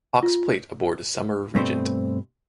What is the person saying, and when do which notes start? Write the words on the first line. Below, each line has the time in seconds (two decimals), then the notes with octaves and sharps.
Cox Plate aboard Summer Regent.
0.23 F4
1.55 G2 B2 A3 C4 C5 C6